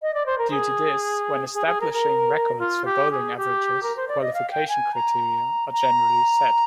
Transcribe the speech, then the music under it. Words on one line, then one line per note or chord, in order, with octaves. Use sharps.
Due to this, when establishing records for bowling averages, qualification criteria are generally set.
D#5
D5
C5
A#4
G#4
G#4
G#4
A#4
A#4
F4
G4
G#4
G4
A#4
C5
D5
D#5
F5
G5
G#5
A#5
A#5